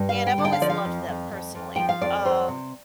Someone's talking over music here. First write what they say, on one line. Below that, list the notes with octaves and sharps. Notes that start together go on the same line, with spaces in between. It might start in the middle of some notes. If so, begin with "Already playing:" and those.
And I've always loved them, personally. Um,
Already playing: G2
F5
G3
G5
D3
G5
F5
F3 D5
F5
F2
F2
F2
F2
F3 G5
F5
F2 D5
F2 C5
C3